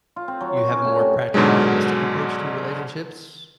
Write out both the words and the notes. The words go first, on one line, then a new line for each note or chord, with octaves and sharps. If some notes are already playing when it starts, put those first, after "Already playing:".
you have a more practical realistic approach to relationships.
F4
C4
F#3
F#4
C#4
A2
C3
G#2 B2 D3 F#3 G#3